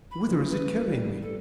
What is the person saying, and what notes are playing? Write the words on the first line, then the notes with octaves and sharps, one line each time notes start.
Whither is it carrying me?
B5
G1 C#3 E3 F4
B4
G3
A4